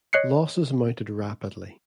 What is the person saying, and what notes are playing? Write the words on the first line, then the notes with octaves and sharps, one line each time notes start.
Losses mounted rapidly.
C#5 D#5 F#6 C7 C#7